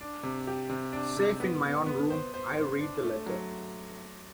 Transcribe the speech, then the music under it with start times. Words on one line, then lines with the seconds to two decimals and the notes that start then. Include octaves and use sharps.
Safe in my own room, I read the letter.
0.01 D4
0.23 C3
0.47 G4
0.69 C3
0.93 D4
1.17 C3
1.40 B3
1.64 B3
1.86 B3
2.10 C5
2.34 C5
2.57 C5
2.81 D4
3.03 A3
3.26 F#3